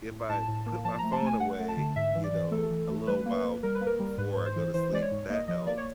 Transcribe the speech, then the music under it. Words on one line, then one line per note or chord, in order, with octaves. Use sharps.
if I put my phone away, you know, a little while before I go to sleep, that helps.
A2
A2 A5
A2
A#3
F3 A5
A3 A#5
A5
A3 G#5
A3 F#5
A3
A5
D3
G#2 E5
E3
D5
E3
A3 A4
E3
A3
G3 B4
A#3
A#3
G3 A#4
B4
A#3
A#4
G3
G#2 B4
G#2
C5
E3
E3 C5
G#3 D5
C#5
G#2
A#3 D#5
F3 D#5
A#3 D5
C#5